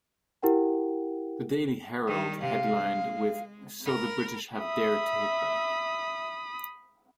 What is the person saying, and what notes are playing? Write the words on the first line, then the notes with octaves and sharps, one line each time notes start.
The "Daily Herald" headlined with "So the British Have Dared to Hit Back".
E4 G4 A#4 F#5 G5
D#3 G3
C3 F5
G#3
A#4 B5
E5 B5 D#6